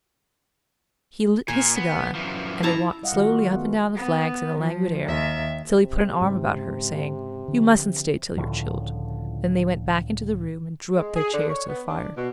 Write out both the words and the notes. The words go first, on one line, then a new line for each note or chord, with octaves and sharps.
He lit his cigar, and they walked slowly up and down the flags in the languid air, till he put an arm about her, saying: "You mustn't stay till you're chilled"; then they went back into the room and drew up their chairs to the fire.
A#2 G#5
B3
F#2 E3 F3
E4 A5 A#5
G3 D#5 F5 F#5
D#3 F4 F#4
F3 G#3 A3
B3
B3
F3
D#2 E5
C3
G#2 C#3
D3 F3
C#2 A2 D3 F3
G#3
G#4
D3
C#5
B3
D4
B2